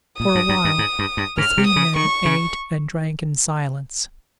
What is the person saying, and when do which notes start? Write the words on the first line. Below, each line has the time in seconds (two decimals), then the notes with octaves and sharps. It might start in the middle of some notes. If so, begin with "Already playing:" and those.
For a while the three men ate and drank in silence.
0.19 A#2 D#6
0.35 G2
0.49 G2
0.65 G2
0.79 G#2
0.99 G2
1.17 G2
1.38 G#2 F6
1.57 C3
1.67 D#6
1.76 C#3
1.96 D#3 C#6
2.25 C#3